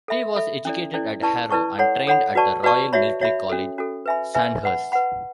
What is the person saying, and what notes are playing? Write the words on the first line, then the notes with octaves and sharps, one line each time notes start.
He was educated at Harrow and trained at the Royal Military College, Sandhurst.
A4 E5 B5
A4 E5 B5
C#4 E4 A4 D5
C#4 E4 A4 D5
E4 B4 D5 A5 C#6
E4 B4 D5 A5 C#6
A4 C#5 F#5 B5
A4 C#5 F#5 B5
F#4 B4 D5 A5 C#6
F#4 B4 D5 A5 C#6
F#4 C#5 E5 B5
F#4 C#5 E5 B5
C#4 F#4 A4
C#4 F#4 A4
B4 E5 G#5 B5
B4 E5 G#5 B5
B4 F#5 B5
B4 F#5 B5